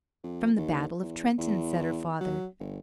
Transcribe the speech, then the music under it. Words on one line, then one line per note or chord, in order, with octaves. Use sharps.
"From the battle of Trenton," said her father.
F2
D#2
E2
E2
F#3
G1